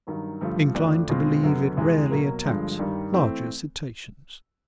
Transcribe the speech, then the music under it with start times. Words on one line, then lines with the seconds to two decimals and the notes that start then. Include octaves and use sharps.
Inclined to believe it rarely attacks larger cetaceans.
0.07 G2 D#3 F#3
0.41 G2 D3 F3 A3
0.75 F2 D3 F3 A3 D4
1.09 E2 B2 G#3 C4 F4
1.43 F#2 D3 F#3 B3
1.77 E2 C3 E3 G#3
2.11 B2 F#3 A#3
2.45 G2 D3 F3 G#3
2.79 G2 D#3 G3
3.13 E3 A3 C4